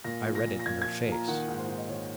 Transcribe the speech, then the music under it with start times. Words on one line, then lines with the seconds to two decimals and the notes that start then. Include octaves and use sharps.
I read it in her face.
0.04 A#2 A#6
0.25 F3
0.35 A#6
0.46 A#2
0.60 A#6
0.66 A#2 G#6
0.82 G#6
0.86 F3
1.07 A#2
1.12 A#5
1.28 D#3 F#5
1.48 G#2
1.58 C5
1.68 D#3
1.77 D#5
1.89 D#3 C#5